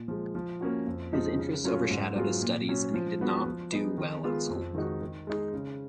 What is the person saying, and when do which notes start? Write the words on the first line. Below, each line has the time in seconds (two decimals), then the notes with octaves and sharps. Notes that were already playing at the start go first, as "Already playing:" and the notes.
His interests overshadowed his studies and he did not do well in school.
Already playing: A#2
0.08 F3 G#3
0.35 F3
0.61 A#3 C#4 F#4
0.87 F2
1.13 F3 G#3 D#4
1.38 C#3
1.64 F#3 C#4 F4
1.90 G#2
2.16 F#3 B3 F4 G#4
2.42 A#2
2.68 F#3 C#4
2.94 F3
3.19 G#3 B3 F#4
3.46 F3
3.72 B3 D#4 G#4
3.98 D#3
4.23 G#3 B3 F4 G#4
4.49 F2
4.75 D#3 G#3 D#4 F#4
5.01 D#3
5.27 G#3 D#4 G#4
5.53 C#3